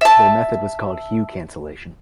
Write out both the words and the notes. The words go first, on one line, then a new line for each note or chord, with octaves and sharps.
Their method was called "hue cancellation".
E5 A5